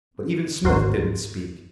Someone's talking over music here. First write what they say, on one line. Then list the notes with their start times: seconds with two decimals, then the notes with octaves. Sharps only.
But even Smith didn't speak.
0.64 G#1 D2 F#4 A#4 C6